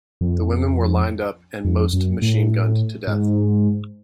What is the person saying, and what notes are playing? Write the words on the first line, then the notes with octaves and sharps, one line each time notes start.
The women were lined up and most machine-gunned to death.
F2
F2
F#2
A2
G#2